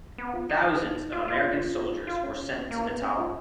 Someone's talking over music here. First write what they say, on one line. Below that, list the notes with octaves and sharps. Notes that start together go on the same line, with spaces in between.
Thousands of American soldiers were sent to Natal.
B3
F4
D#4
F4
F4
F4
C#4
A#3
B3
C#4
F4